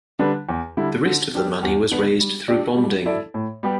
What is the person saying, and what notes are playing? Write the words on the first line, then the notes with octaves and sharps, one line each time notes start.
The rest of the money was raised through bonding.
D3 G3 D4 B4
E2
D3 G3 E4
D3
B3 D4 G4
E2
D3 B3 D4
G3
D4 G4 D5
G3
E4 A4 D5
A2
G3 B3 G4